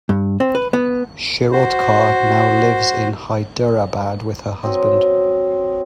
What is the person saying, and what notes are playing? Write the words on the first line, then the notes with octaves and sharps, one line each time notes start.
Shirodkar now lives in Hyderabad with her husband.
G2
C4
B4
B3
F#4 C5
F#3 C4 C5 D#5